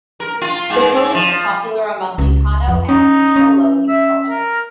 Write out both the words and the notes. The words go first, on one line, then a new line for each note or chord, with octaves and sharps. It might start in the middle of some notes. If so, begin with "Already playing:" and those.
The clothing is popular among Chicano and "cholo" youth culture.
A#4
F4
G#2
F3
C#2
F2
C#4 D#4
C#4
E5
A#4